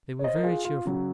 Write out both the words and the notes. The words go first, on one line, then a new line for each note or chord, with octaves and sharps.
They were very cheerful.
C#5
C5 D#5
A#4
F4 G#4
F4
C#3 F#3